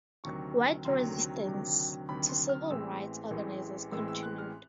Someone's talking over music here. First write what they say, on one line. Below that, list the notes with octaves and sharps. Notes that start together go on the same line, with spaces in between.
White resistance to civil rights organizers continued.
D2 C3 D#3 F#3 C#6
D2 C3 D#3 F#3 C6
D2 C3 D#3 F#3
D2 C3 D#3 F#3 B5
C6
F6
D#6
A1 A2 E3 G#3 C4 E6
A1 A2 E3 G#3 C4
A1 A2 E3 G#3 C4 E6
E6
F#6
F6